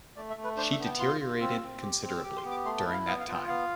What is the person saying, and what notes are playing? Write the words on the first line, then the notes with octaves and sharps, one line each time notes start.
She deteriorated considerably during that time.
A3 D5
E5
A3
B4
D4 C5
E5
B3
G5
F4 C6
F4
C4 E6
C4
G4
C4
F6
E6
G4 D6
C6
B3
D6
A3 C6
A5
E4
F5
B3 F5
F5
F4
G5
B3 F5